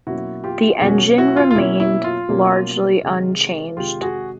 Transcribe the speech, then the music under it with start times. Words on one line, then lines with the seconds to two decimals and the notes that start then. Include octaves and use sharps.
The engine remained largely unchanged.
0.07 B2 F#3 A#3 C#4 E4 F#4
0.44 F4 G4
0.81 B2 F#3 A#3 C#4 F#4 G#4
1.18 E4 F#4
1.37 F4
1.51 F4
1.55 B2 F#3 A#3 C#4 E4
1.80 E4
2.04 F4
2.29 B2 F#3 A#3 C#4
3.03 C3 D#3 G#3
3.77 C3 D#3 G#3 F4 G4
4.02 F#4 G#4